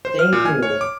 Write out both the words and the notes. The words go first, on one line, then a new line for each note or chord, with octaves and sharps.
Thank you.
C5
F6
A#2
G#5
C#5
D6